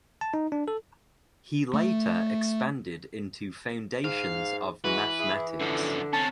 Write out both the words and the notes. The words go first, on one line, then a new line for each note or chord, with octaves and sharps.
He later expanded into foundations of mathematics.
A5
D#4
D4
A4
A3
G#2 F5
E3 G#3 F#4 B4
E4 G#4
F#2 D3 F3
C3 C#4 A5